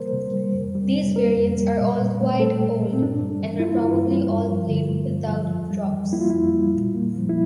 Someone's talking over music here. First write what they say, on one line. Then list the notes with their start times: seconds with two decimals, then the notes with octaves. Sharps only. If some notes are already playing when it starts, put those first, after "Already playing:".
These variants are all quite old, and were probably all played without drops.
Already playing: C3 E3 G3 A#3 A#4 C5
0.12 C3
0.34 G3
0.54 F2
0.75 G3
0.95 C3
1.16 A#3 A#4
1.37 F2
1.57 G3
1.78 A#2
1.99 A#2
2.20 A3
2.40 A3 A4
2.61 A#2
2.81 A#2
2.93 C4
3.02 G2 D4
3.23 G3
3.44 E3
3.60 E4
3.64 A#3 F4
3.84 G2
4.06 G3
4.26 G2
4.47 F3
4.67 D3
4.88 A3
5.08 G2
5.30 F3
5.50 F2
5.70 G3
5.91 E3
6.13 A#3 E4
6.21 F4
6.30 F2 E4
6.53 G3
6.74 A#2
6.94 A#3
7.16 F3
7.29 E4